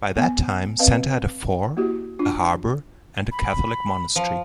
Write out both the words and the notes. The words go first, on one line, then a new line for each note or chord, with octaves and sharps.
By that time Senta had a fort, a harbour and a catholic monastery.
B3 G#5
C4 B4 D#5 F5 A5
A#3 E4 F#4 G4
D4 F4
B5
F3